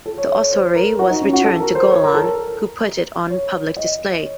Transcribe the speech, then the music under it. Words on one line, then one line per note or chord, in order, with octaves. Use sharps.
The ossuary was returned to Golan, who put it on public display.
A4
C#5
C#5
C#5
C5
A#4
F#4
D#4
C#4
F#4
A4
A#4
C5
C#5
A#4
A4
A#4
C#5
D#5
C#5